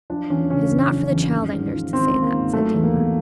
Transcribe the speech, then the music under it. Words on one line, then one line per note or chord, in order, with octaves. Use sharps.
'It is not for the child I nursed to say that,' said Tamar.
F3 D4
E2 C#4
C#3 C#4
F#1
F3
E2
G#1
G#2
F3
G#1 C4
G#1
A#3
G#2
F#3 A3
E2
A#3
B2